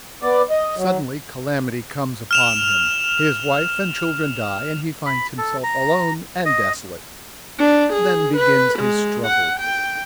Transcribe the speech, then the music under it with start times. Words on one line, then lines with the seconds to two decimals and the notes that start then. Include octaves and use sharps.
Suddenly calamity comes upon him, his wife and children die and he finds himself alone and desolate. Then begins his struggle.
0.22 B3 D5
0.50 D#5
0.77 F#3
2.31 F6 E7 F7
5.06 B5
5.38 A4
5.64 A#5
6.46 D#5
7.59 D4
7.93 G#4
8.37 B4
8.79 G#3
9.26 F#5
9.60 G5